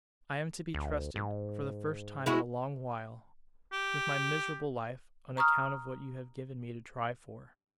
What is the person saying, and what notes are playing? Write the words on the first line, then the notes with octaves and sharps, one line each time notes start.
I am to be trusted, for the first time in a long while, with my miserable life, on account of what you have given me to try for.
D2
G#2
G#3 E4 F#4
G4
A#5 C#6 D#6 F6